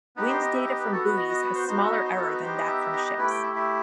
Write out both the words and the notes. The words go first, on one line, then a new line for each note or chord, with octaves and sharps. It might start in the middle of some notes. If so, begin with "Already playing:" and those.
Wind data from buoys has smaller error than that from ships.
B3 D#4 G4 B4
C5
D#5
E5
D#5
B4
B3 F#4 A4
B4
D#5
D#5
B4
C5
B3 D#4 F#4 C5
E5
D#5
C5
A4
B4
B3 D#4 G4 C5
D#5
E5
E5
D#5
D#5
A3 E4 G4 B4
G5
E5
E5